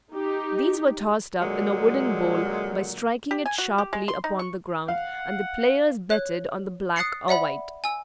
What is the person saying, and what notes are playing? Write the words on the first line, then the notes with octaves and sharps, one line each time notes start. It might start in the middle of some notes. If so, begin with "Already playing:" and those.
These were tossed up in a wooden bowl, by striking it sharply upon the ground, and the players betted on the black or white.
D#4 G4
A#2 D3 F#3 G#3
G4
G#5
F#4
G4
G#3
C6
D#4
C#6
F5 F#5
C#5 F#6
D#6 F#6 A6 C7 C#7
D5 E5 F#5 B5
G#5 E6